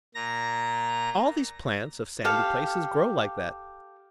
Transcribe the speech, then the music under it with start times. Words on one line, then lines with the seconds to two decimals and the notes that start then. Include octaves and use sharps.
All these plants of sandy places grow like that.
0.15 A#2 A#5 A#6
2.24 G4 A4 F5